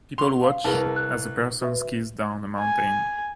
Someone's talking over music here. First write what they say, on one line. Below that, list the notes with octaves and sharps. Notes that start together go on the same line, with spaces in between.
People watch as a person skis down a mountain.
C6 F7
F5
C2 G#4 A#4 B4 A5
F#6
F#4 B4 E5
G#5